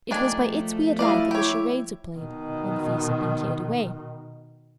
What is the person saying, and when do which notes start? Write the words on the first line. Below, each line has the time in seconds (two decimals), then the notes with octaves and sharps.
It was by its weird light that the charades were played, when the feast had been cleared away.
0.11 D#3 F3 A3 D4 G#5
0.99 E4 D5 D#5 F5
1.31 G4 C#5
2.18 B2 D#3